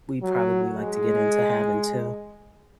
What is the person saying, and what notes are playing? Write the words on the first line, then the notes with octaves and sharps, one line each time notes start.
we'd probably like to get into having too.
F#3
G#3